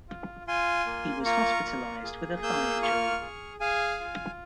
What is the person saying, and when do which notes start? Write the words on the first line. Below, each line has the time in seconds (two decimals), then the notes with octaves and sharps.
He was hospitalised with a thigh injury.
0.08 F4
0.47 F4 G#5 C6
0.86 A#3
1.25 F4 A#5 C#6
1.64 A#3
2.04 G#4
2.43 A#3 E6 G6
2.82 F4 C#6 F6
3.21 G#4
3.60 G#4 F5 G#5
4.00 F4